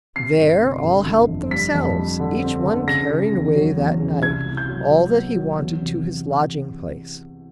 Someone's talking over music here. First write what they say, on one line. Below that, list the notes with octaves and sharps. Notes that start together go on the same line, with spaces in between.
There all helped themselves, each one carrying away that night all that he wanted to his lodging-place.
C3 C7
G1
C3
G1
G1
F2
G3 B6
F2
G3
D3
C4
D3
C#3 A#6
C#3
E2
F#3
E2
C#3
C2 G#6
C2
G6
F#3
F#3
B3
F#3
E2
C3